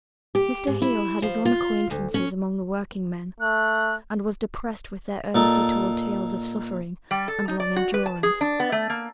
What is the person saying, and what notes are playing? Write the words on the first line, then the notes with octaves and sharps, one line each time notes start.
Mr. Hale had his own acquaintances among the working men, and was depressed with their earnestly told tales of suffering and long-endurance.
G4
G#2
E4
F3
F4
D2
C#4
A3 F#6
A#2 D#4 A4
G3
A4
D#4
D5
F#4
B4
A5
G#4
D4
B3
A3
A#3